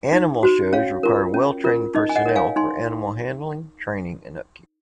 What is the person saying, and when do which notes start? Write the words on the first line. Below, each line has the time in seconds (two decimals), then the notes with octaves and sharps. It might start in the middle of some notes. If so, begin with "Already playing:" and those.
Animal shows require well-trained personnel for animal handling, training, and upkeep.
0.13 D#4
0.43 F#4 C5
0.73 C#4 C#5 F5
1.03 F4 A#4
1.34 C#4
1.64 F4 A#4
1.95 D#4 D#5
2.09 G#5
2.16 D#5 F#5
2.25 A#4 C#5
2.36 F5 G#5
2.56 D#4 G#5 C6